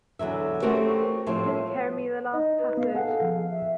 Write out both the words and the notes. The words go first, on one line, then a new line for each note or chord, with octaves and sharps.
Can you carry me the last passage?
E2 D3 F#3 E5
A3 C4 C#4 F#4 G4 A#4
A2 F3 G3 C4
D#4 D#5
B4
B3 F5
G#4 A4 F#5
F3
E5